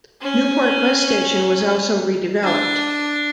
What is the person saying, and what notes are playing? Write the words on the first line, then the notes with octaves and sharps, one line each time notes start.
Newport bus station was also redeveloped.
C#4
D4